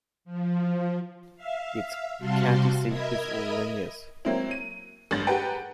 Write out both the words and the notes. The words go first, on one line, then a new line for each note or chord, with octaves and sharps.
Its county seat is Linneus.
F3
E5 F5
C3 G3 F#4 F5 A5 C6
A#4 D#5 E5 B5 D#6 G#6
F#3 A#3 C4 E4
D#7
A1 G2 A6
G4 G#4 A#4 B4 F#5 G5